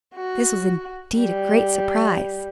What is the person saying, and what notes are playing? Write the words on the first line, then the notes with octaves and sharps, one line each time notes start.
This was indeed a great surprise.
F#4
G3